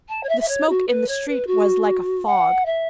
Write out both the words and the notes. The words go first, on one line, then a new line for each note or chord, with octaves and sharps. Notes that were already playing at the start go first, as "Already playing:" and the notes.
The smoke in the street was like a fog.
A5
C#5
E5
E5
C#5
F#4
B4
C#5
B4
F#4
F#5
E5